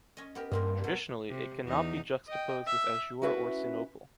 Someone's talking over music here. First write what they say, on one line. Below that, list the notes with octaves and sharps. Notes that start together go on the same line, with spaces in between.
Traditionally, it can not be juxtaposed with azure or sinople.
C#4 D#5
B3 G4 A#4
G2 A#3 C4 A#4
B2 F#3
C3
E2 D#4
D#5 G5
E5
C#4 E4 F#4 B4 E5